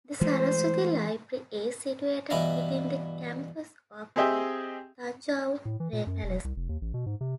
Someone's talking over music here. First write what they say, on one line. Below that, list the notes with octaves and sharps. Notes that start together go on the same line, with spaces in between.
The Saraswati Library is situated within the campus of the Thanjavur Palace.
E3 G#3 A3 C5
G2 B2 E3 E4 F5 A#5
C4 G4 G#4 D#5 E5 G5
A2
E3
A#2
F#2
E1
C2
F1
D#2
A1
B2
G#2
C3